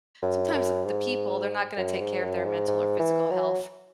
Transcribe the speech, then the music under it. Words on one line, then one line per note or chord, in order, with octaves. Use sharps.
sometimes the people, they're not gonna take care of their mental or physical health
F#2
F#2
G#2
F#2
G#2
F#2
G#2
G#2
E3
F#3